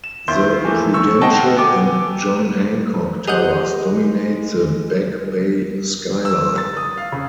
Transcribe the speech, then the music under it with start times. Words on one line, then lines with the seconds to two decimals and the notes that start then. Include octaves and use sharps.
The Prudential and John Hancock towers dominate the Back Bay skyline.
0.04 E7
0.28 D#2 E4 C6 G6
0.65 E3 F3 A3 A#3
0.94 D3 C#6 E6
1.21 C5 D#5 F#5 G5 A5
1.56 B3 G5 G#5 D6
3.28 G#3 G4 G#4 D#5 F#5 G6
6.25 E6
6.58 A6
6.77 D#6
6.97 F5
7.12 C#3